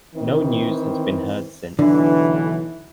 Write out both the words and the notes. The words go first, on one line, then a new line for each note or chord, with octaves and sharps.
No news has been heard since.
D#3 E3 C4
B1 D3 E3